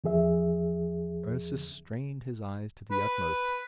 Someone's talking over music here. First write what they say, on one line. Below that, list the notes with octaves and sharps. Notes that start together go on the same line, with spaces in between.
Ursus strained his eyes to the utmost.
E2 F3 G#4 E5
B4